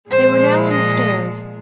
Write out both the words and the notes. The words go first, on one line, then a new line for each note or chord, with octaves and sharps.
They were now on the stairs.
A#2 F3 G#3 C5
D#5